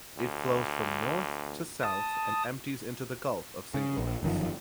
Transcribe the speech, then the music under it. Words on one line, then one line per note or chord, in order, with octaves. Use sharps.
It flows from north to south and empties into the Gulf of Saint Lawrence.
D2
A5 D#6
C#3
A#1
G1 F#2 D#3 F3